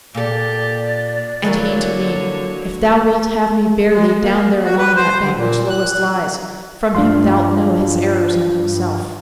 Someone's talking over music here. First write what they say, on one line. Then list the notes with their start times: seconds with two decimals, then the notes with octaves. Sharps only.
And he to me: "If thou wilt have me bear thee Down there along that bank which lowest lies, From him thou'lt know his errors and himself."
0.15 A#2 G4 A4 D5
1.43 D3 E3 F#3 A#3 C#5
3.92 G#3
4.22 A#3
4.64 F#4
4.78 B4
4.96 C5
5.22 D3
5.35 A#2
5.69 F#6
6.95 G2 F3 D4 F5 C6